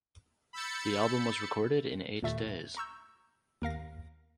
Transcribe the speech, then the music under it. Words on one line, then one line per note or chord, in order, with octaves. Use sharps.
The album was recorded in eight days.
B5 E6 G6 A6 C#7
D#2 A#2 A3 E5 A6
A#5 C#6 E6 G6
D#2 A#4 F5 A#6